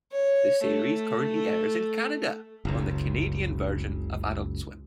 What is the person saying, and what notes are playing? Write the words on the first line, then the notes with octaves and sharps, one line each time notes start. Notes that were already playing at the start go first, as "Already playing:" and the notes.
The series currently airs in Canada on the Canadian version of Adult Swim.
C#5
A3
F#1 C#2